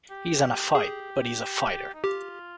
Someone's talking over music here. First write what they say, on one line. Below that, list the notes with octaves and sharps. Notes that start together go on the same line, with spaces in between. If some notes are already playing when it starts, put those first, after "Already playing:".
He's in a fight, but he's a fighter.
G4
G4
G4 G#4
D#4
F4 G4